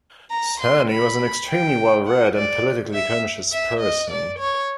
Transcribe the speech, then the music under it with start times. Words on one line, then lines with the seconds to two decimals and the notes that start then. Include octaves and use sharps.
Sahni was an extremely well-read and politically conscious person.
0.31 A#5
0.60 C6
0.90 B5
1.48 G5
2.06 F#5
2.35 D5
2.94 E5
3.52 E5
3.80 D#5
4.10 D5
4.39 C#5